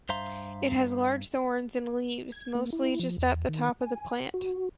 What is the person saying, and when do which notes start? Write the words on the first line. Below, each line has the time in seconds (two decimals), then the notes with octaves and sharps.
It has large thorns and leaves mostly just at the top of the plant.
0.09 G2 C5 E5 F5 A#5 C6
2.32 G#6
2.55 A#3
2.73 E4
3.00 F3
3.18 E2
3.49 D#3
3.81 G#5
4.34 F#4